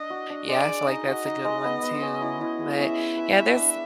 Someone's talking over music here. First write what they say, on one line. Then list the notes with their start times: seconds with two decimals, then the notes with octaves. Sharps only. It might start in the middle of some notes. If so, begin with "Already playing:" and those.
yeah, I feel like that's a good one, too, but, yeah, there's
Already playing: D4 D#5
0.10 F#4
0.30 D4
0.49 G#3 D5
0.68 G#3
0.87 D#4 D#5
1.06 F#4
1.25 D#4
1.44 G#3
1.64 B3
1.83 B3
2.02 C#4
2.21 E4
2.41 E4
2.60 G#4
2.79 C#4 E5
2.98 G#4
3.17 B4
3.37 B4
3.56 D4